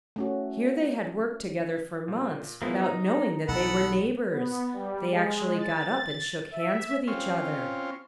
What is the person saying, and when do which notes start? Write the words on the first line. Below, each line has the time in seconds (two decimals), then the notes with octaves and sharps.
Here they had worked together for months without knowing that they were neighbors; they actually got up and shook hands with each other.
0.16 A3 C#4 F#4
2.08 A#2
2.62 F3 G#3 A#3 B3 E4
2.80 D#4 D#5 A#5
3.48 B1 E3 A4 F#5 B5
4.31 B3
4.73 G3
5.09 G#3
5.57 A6
6.51 E5
7.08 C4 C#4 F4